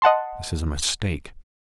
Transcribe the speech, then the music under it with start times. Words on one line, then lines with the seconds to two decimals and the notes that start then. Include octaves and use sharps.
This is a mistake.
0.02 D#5 F#5 A5 C6